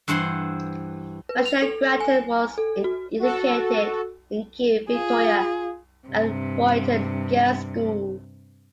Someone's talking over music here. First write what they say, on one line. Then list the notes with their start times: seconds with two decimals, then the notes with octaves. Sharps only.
Michelle Grattan was educated in Kew, Victoria at Ruyton Girls' School.
0.08 G2 E3 C5 F#5 C6
1.29 B4
1.46 F7
1.62 A4
2.00 G#5
2.58 A4
2.84 F#4
3.19 F#4 A4
4.90 F4 G#4
6.08 G2 C3